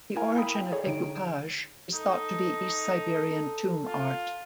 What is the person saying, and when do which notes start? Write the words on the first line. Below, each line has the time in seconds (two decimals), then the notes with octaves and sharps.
The origin of decoupage is thought to be East Siberian tomb art.
0.16 E4 A#4 F5 G#5 A#5
0.36 F5 G5 B5 D#6
0.55 G5
0.72 G#4 A4 C#5
0.87 D3 D#4 D7
1.93 D#4 A4
3.86 F4